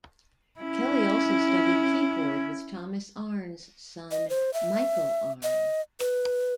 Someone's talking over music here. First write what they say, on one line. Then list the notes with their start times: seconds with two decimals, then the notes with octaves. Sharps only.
Kelly also studied keyboard with Thomas Arne's son, Michael Arne.
0.60 C#4 E4
4.11 D#5
4.30 C5
4.53 E5
5.43 D#5
6.00 B4